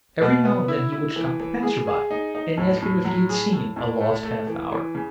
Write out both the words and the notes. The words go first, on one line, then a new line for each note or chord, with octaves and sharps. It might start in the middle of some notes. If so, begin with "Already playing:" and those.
Every now and then he would stop a passer-by and ask him if he had seen a lost half-hour.
B2
B3
E4
E4
E3
E3
G#4
G#4
D#4
D#4
A2
A2
F#3
G#4
A2
A2
A3
A3
E3
E3
C#3